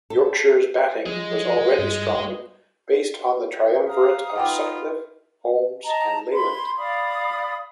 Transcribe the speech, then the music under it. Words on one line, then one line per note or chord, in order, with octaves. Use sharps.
Yorkshire's batting was already strong, based on the triumvirate of Sutcliffe, Holmes and Leyland.
A4
F3 G#3 G#4
G2
F5 A#5 D#6
D#4 F4 B4 F#5 G5 D6
D#5 A5 A#5
B5 C6 G#6
D5 F5 B5 D#6